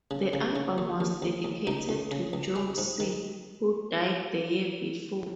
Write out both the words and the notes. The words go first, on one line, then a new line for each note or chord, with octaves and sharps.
The album was dedicated to Joe C., who died the year before.
C#3
C#3
C#3
D#2
D#2
D#2
D#2
C#2 D#4
C#2
C#3
C#2
G#3
G#2
D#3